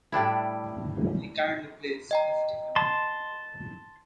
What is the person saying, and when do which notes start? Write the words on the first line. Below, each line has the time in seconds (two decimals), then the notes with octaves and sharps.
He currently plays as a defender.
0.12 A2 G3 D4 E4
2.11 D#5 G5 A#5
2.76 A5 C6